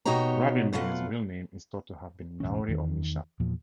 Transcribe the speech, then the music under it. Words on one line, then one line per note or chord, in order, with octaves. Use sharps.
Rabbi Meir's real name is thought to have been Nahori or Misha.
B2 D#4 F#4 G4 C#5 A#5
B2 F#3 A3 F4 F#5
E1 A1 C#4
E2 D#3
E2 A#2 F3